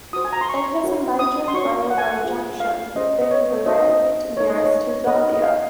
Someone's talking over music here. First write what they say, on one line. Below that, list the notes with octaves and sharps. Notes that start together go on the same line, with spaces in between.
It has a major railroad junction, being the railhead nearest to Zambia.
F#4 C5 D#6
G#5
A#5
C6
C#6
F#4 A#4 C#5
D#6
C6
F#4 C#5 C#6
F#5
G#5
F#5
F4 G#4 C5
F5
C#4 G#4 C5 D#5
D#5
C#5
D#4 F#4 C5 D#5
D#5
D#5
D#4 A#4 C#5
D#5
C#5
D#4 A#4 C#5 D#5
D#5
F5